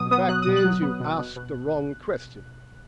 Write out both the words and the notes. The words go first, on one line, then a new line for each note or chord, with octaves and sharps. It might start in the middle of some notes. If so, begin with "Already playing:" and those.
The fact is you've asked the wrong question.
Already playing: B2 F#3 D#6
B3 D#6
F#3 F#6
B2 D#6
F#6
F#3
B3
B2
B2
B2